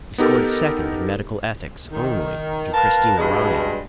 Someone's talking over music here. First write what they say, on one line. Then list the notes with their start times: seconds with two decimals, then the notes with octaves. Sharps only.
He scored second in Medical Ethics only to Christina Ryan.
0.18 B3 D#4 G4 A4 A#4
1.92 D#3
2.73 A#4 B4 F5 A5
3.18 G2 B2 G#3